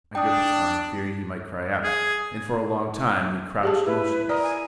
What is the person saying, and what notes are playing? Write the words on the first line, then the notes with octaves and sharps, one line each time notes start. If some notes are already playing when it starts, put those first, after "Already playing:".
I gripped his arm, fearing he might cry out, and for a long time we crouched motionless.
D4 G5 D#6
G#4
G4 G#4 A5
E4 B4
A#4 D5 D#6
G#5